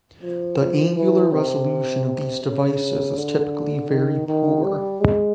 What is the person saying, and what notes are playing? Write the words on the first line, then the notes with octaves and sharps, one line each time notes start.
The angular resolution of these devices is typically very poor.
F3
F3
E3
C3
C3
C#3
D3
D#3
D#3
G3
G#3